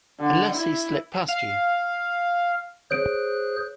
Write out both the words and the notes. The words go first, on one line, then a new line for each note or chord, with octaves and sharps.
Unless he's slipped past you.
D3
E4
F5
G#4 C5 C#5 F#6 D7